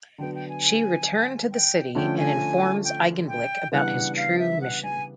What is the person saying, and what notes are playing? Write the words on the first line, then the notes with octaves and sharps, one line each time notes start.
She return to the City and informs Eigenblick about his true mission.
D3 F#3 B3 G5
G5
G#5
G5
D3 F3 A3 C#4 G5
G#5
G5
G5
C#3 E3 G3 B3 D4 F#5
F5
E5
F#5
G#5